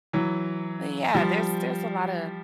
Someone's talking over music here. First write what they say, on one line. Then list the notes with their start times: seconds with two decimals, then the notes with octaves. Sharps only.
but, yeah, there's there's a lotta
0.13 E3 F#3
1.14 F3 G3